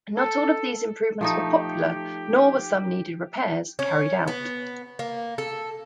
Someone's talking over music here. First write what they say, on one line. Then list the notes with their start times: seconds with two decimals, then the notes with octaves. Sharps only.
Not all of these improvements were popular, nor were some needed repairs carried out.
0.17 A4
1.21 F3 A3 D#4 G4
3.79 C#4
4.27 B3
4.99 A#3
5.38 A4